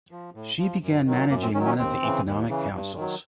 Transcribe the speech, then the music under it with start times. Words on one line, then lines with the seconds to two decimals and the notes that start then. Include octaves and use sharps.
She began managing one of the Economic Councils.
0.11 F3
0.35 A2
0.58 F3
0.83 F#2
1.06 D#3 F#3
1.30 F#2 A#3
1.42 C4
1.54 D#3 F#3 C#4
1.65 C#4
1.78 D#2 C4
2.02 C#3 E3
2.26 D#2
2.49 C#3 E3
2.73 G2
2.96 D#3 F#3